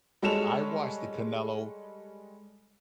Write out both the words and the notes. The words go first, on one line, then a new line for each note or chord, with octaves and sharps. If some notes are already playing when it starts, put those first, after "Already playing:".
I watched the Canelo
G3 G#3 A4 C#5 E7 F7